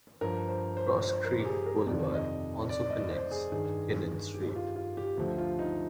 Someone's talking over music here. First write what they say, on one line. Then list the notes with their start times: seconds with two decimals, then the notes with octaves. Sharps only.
Cross Creek Boulevard also connects to Kinnan Street.
0.21 G2 F3 A#4
0.49 C5
0.77 C5
1.04 C5
1.25 A#4
1.40 G4
1.45 G#4
1.66 A#4
1.86 F2 C3 D#3 D5
2.14 D#5
2.69 D5
2.90 D#5
3.11 C5
3.31 G#4
3.52 G2 D#3 G#4
4.34 G4
4.56 F4
4.76 F4
4.97 G4
5.17 D2 D3 F3
5.38 F4
5.59 D#4